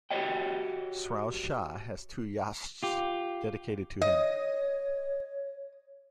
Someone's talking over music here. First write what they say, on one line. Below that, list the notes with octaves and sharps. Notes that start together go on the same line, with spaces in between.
Sraosha has two yashts dedicated to him.
F#4 G4 B4 C#5 D#5 G5
F4 G4
C#5 D#5